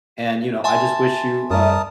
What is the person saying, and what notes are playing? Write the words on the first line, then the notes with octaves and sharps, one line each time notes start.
and, you know, I just wish you, uh,
E5 G#5 A5 C6
F#2 G3 A#4 A5 D#6